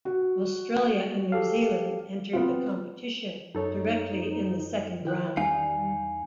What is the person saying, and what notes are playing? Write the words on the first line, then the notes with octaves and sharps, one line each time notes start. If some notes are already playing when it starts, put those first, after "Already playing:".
Australia and New Zealand entered the competition directly in the Second Round.
F#4
G4 A4 F5
B3 C4 F4 B4
F#2 D#4 A4 C#5
D#3 E4 G5 F#6
E2 G3 D#4 F5 G#5